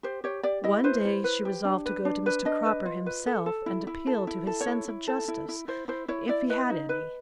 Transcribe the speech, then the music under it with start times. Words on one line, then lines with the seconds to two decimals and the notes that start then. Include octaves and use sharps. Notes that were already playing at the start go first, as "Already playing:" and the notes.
One day she resolved to go to Mr. Cropper himself and appeal to his sense of justice, if he had any.
0.03 G4 C5
0.24 G4 C#5
0.43 G4 D5
0.64 E4 D#5
0.84 B4 C5
1.05 E4
1.24 B4
1.45 G4
1.65 D4
1.86 B4
2.05 D4
2.26 B4
2.45 D4 D#5
2.65 B4
2.86 F4
3.06 B4
3.27 A4
3.46 A4
3.66 E4
3.87 E4
4.07 A4
4.27 E4
4.47 A4
4.61 C#5
4.68 E4
4.88 E4
5.07 A4
5.28 E4
5.48 E4
5.68 E4 C5
5.88 E4 C5
6.08 E4 C#5
6.29 E4 D5
6.50 B4 D#5
6.70 D#4
6.89 B4